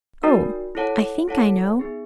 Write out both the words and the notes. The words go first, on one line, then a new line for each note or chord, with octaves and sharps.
Oh, I think I know.
D#4 F#4 A#4 D5 G5
E4 A4 C#5 F#5 A5
E4 A4 C#5 F#5 A5
B3 D#4 G#4